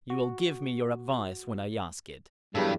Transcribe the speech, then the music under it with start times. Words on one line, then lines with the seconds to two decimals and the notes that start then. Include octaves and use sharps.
You will give me your advice when I ask it.
0.10 F#4
2.55 E2 G2 E3 F#3 G3 A4